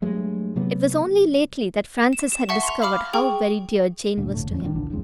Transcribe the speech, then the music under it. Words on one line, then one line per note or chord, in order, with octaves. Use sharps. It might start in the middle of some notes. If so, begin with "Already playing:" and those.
It was only lately that Francis had discovered how very dear Jane was to him.
G2 F#3 G#3 A3
C3 F#3 A#3 B3
E7
E7
E5 F#5 A5 C#6
C6 F7
F5 B5 D6 F6
G#4 G5 C#6
D2 A#2 D4
F1 A2 D3 A3
E2 F3 C4 C#4
D#1 D#3 E3 D4
A#1 D3 E3 D4
D1 B1 F2 G#3